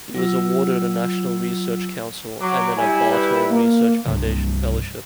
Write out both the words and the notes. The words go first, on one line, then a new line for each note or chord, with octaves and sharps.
He was awarded a National Research Council, and then a Bartol Research Foundation fellowship.
F#3 F4 E6
F#3 D6
G3 E4 G#5
B4
A#3
C2 G2 C3 F3